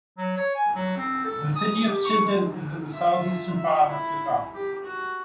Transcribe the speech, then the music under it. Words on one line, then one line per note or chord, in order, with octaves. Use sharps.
The city of Chilton is in the southeastern part of the town.
F#3
C#5
G#5
F#3
C4
A4
D#6
G4
C#6
G#3
F4 E5
E5
E4
G4
F#4